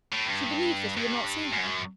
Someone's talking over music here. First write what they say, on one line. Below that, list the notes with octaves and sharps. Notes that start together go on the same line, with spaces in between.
She believed that he had not seen her.
A2
G2
G2
F#2